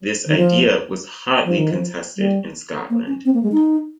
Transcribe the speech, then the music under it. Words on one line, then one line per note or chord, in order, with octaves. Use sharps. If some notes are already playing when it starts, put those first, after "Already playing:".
This idea was hotly contested in Scotland.
D#3
F3
F3
D#3
F3
G3
A#3
C#4
C4
A#3
G#3
D#4